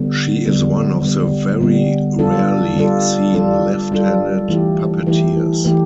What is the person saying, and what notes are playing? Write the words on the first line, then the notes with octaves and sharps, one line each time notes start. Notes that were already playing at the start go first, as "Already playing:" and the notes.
She is one of the very rarely seen left-handed puppeteers.
Already playing: D3 G3 B3
D3 G3 B3
D3 G3 B3
D3 G3 B3
G3 D4 F4 A4
G3 D4 F4 A4
G3 D4 F4 A4
G3 D4 F4 A4
E3 A3 E4 G4
E3 A3 E4 G4
E3 A3 E4 G4